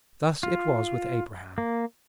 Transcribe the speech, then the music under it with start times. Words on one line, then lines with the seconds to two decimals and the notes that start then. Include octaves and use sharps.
Thus it was with Abraham.
0.43 F4
1.58 A#3